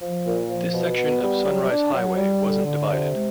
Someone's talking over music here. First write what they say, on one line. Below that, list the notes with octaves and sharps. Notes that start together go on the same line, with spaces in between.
This section of Sunrise Highway wasn't divided.
F3
A#2
F3
B2
B3
G3
F#3
D4
F#3
G3
D3
D3
C3
G#3